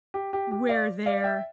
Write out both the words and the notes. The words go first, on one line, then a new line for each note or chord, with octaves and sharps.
where their
G4
G4
G4
D5 F5
D5 F5
E5 G5